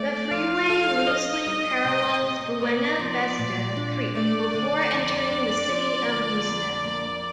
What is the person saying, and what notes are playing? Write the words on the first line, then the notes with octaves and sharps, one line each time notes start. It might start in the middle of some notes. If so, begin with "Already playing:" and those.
The freeway loosely parallels Buena Vista Creek before entering the city of Vista.
Already playing: A3 D4 D5
F3 F5
A4 F5
D4 D#5
G3
C3
C3
A#3 D5
F3
A#2
D4
A3 D5
D3
F2
D4
F3
D3
F2
A#3